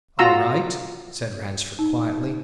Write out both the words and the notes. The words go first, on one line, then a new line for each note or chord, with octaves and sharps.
"All right," said Ransford quietly.
F4 F#4 A#5 E6
D#4